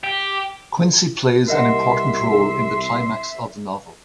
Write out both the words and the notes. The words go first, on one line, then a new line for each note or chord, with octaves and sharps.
Quincey plays an important role in the climax of the novel.
G4
C2 A#4 D#5 E5 F#5 C6